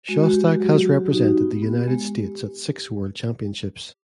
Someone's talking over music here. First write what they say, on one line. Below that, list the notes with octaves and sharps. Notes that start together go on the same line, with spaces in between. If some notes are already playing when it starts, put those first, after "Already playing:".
Shostak has represented the United States at six World Championships.
G#3 F#4
F#4
F#4 G4
F#3
F#4
D#4
B3
B3
G#3